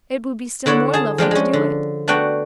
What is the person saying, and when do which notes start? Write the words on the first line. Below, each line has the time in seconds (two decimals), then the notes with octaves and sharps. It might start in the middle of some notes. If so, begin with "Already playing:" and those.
"It will be still more lovely to do it."
0.66 D3 E4 C#5 D5 F#5
0.94 G#4 A5
1.18 F3 G#3 D4 G4
1.31 G#3 C#4
1.53 D3
2.08 A3 B3 D4 F#4 F#5 G5